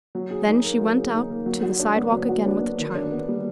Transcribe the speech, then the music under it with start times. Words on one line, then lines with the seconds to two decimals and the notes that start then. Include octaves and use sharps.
Then she went out to the side-walk again with the child.
0.15 F#3
0.31 G#4
0.47 D#4
0.64 A#3
0.80 F#3
0.97 G#4
1.14 D#4
1.30 A#3
1.46 F#3
1.63 F#4
1.80 D4
1.96 B3
2.12 F#3
2.29 F#4
2.45 D4
2.61 B3
2.78 D#3
2.95 D4
3.12 B3
3.28 G3